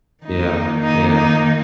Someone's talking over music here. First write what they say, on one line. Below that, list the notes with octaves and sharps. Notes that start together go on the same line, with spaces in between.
Yeah. Yeah.
D#3 A#3 D#4
D#4
D#4